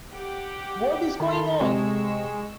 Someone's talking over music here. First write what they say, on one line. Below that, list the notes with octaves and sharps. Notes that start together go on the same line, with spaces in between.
What is going on?
G4 F#5 D6
D#3 A4 B5 C6
C3 G#3 C#6 E6